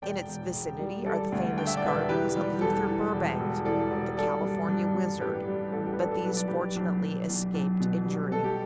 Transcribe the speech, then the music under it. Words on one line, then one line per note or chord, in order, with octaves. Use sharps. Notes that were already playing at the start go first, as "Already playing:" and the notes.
In its vicinity are the famous gardens of Luther Burbank, the "California wizard," but these fortunately escaped injury.
E1 D5 G5
E1
E1
G3
G3 A4 D5
D2
D3 G5
E5
D5
E1 B4 E5
E3 G4 B4
G3
E2 A4
E3
E1
E1
E2 A4 D5
E1
G3 A4 D5
G2
G2
G2
A1 G4 B4
G3
A1 A4
G4
B4
G3 A4
A4
B1 B4
D5
B1 G4 B4
B1
B1
B1
B1
B2
G3
B2 A4
G4